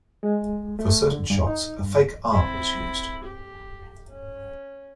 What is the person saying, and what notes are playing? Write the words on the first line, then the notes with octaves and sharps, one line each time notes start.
For certain shots, a fake arm was used.
G#3
A3
D3
G2
D#4
G2
C4 E4
G4
C#4